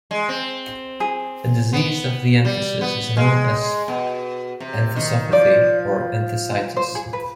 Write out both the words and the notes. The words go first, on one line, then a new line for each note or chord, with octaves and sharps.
A disease of the entheses is known as an "enthesopathy" or "enthesitis".
G#3
C4
G#4
B3
G3
B3
G#3
B2
C3
D#3
F3 D5
C5
G#4
B4